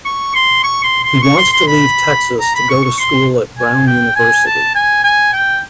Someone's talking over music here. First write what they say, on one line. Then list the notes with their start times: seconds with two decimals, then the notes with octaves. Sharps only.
He wants to leave Texas to go to school at Brown University.
0.05 C#6
0.35 C6
0.64 C#6
0.84 C6
1.04 C6
1.22 C#6
1.38 C6
1.52 C6
1.67 B5
2.40 A#5
2.55 B5
2.70 C#6
2.84 C#6
2.99 C6
3.58 G#5
3.87 G5
4.16 G#5
4.46 A5
4.75 G#5
5.04 G#5
5.33 G5